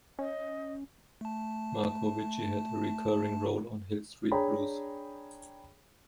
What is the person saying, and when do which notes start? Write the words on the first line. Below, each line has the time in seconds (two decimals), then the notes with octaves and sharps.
Marcovicci had a recurring role on "Hill Street Blues".
0.19 C#4 D#5
1.21 A3 A5
4.32 D4 G#4 C#5 G5 A#5 B5